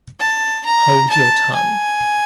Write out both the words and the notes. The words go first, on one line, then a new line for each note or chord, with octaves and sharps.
Hold your tongue.
A5
A#5
A5
G#5